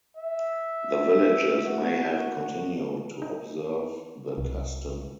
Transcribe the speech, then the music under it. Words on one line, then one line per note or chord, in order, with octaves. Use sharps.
The villages may have continued to observe the custom.
E5
F#4
D#4
C2